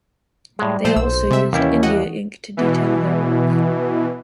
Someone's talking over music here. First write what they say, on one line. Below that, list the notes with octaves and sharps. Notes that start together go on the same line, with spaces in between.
They also used India Ink to detail their work.
A2 G3 G#3
A#2 F3 A4 C5
B1 C5 E6
C3 G#3 E5
D#2 E3 G3 C#4 E4
F#4 D#5 F#5
B2 E3